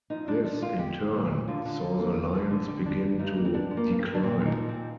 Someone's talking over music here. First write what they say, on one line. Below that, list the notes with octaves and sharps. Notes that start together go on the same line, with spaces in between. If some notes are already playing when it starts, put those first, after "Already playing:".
This in turn saw the lions begin to decline.
F3 D#4
G#3 D4
F3 D4
G#3 F4
G#3 G4
G#3
A#2
G#3
D3 F4
D3
D3
A#3
G2
D3
D3
G3
F3 D4
G2
G2 D#4
A#3
C4
G2 D4
F3
A#3
G2
C4
G2
D4
A#2 C4
F3
D#4
A#2
C4
F3